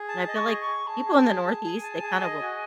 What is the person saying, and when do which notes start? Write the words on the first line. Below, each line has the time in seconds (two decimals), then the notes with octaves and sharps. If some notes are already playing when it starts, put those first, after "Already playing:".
and I feel like people in the Northeast, they kind of will
Already playing: G#4
0.08 A5
0.28 D#5
0.35 C#6
0.48 G#4
0.60 C#6
0.67 G#4
0.86 G#4 A5
1.05 G#4
1.25 G#4
1.45 G#4
1.63 G#4 A5
1.68 G#5
1.83 A5
2.02 G#4
2.21 D#5
2.41 F#4